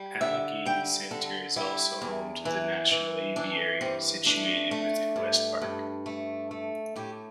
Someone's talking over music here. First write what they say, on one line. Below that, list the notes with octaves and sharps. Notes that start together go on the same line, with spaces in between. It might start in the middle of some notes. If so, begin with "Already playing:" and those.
Allegheny Center is also home to the National Aviary, situated within West Park.
Already playing: G3
D3 E5
G3 G5
D3 A4
G3 E4
E2
E3
E3
E3 D4
G2 C4
A3 D4
A3
G2
G2
A3
A3
A2 G4